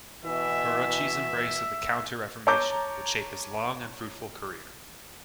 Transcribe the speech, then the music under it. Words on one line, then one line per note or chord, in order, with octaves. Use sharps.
Barocci's embrace of the Counter Reformation would shape his long and fruitful career.
B2 E3 E5
C#5 A5 A#5 D6 G6